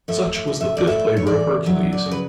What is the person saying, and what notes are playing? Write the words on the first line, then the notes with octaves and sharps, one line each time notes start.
Such was the fifth labor of Hercules.
A2 E5
E5
A2
E5
D5
A2 E5
C#5
E3 D5
F#3 E5
D5
C#3
B4